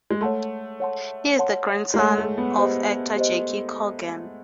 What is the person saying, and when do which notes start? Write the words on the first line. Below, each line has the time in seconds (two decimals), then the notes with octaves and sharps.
He is the grandson of actor Jackie Coogan.
0.11 G#3
0.21 A3 C#5 F#5 A5 C6
0.80 C#5 F#5 A5 C6
1.39 C#5 F#5 A5 C6
1.94 G#3
1.98 A3 C#5 F#5 A5 C6
2.18 A3
2.38 B3
2.57 G4 C5 D#5
3.16 G4 C5 D#5